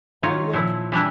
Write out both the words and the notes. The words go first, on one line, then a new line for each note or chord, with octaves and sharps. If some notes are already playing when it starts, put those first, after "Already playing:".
Why, look!
D#3 F4 C#5
A#2 F3 E4
E3 G3 D4 E4